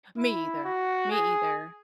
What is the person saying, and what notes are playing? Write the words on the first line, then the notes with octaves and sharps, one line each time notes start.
Me either. Me either.
E4
F#4
G#4